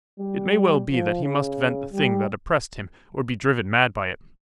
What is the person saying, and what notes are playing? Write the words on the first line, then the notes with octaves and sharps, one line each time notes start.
It may well be that he must vent the thing that oppressed him or be driven mad by it.
G3
F3
C#3
G3